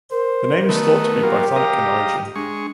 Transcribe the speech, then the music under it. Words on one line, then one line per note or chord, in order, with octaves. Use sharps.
The name is thought to be Brythonic in origin.
A#4 C5
D#3 A3 B3 D#4
F#3 A#3 F4 G4
D#5 F5 A#5
G#3 D4 C#6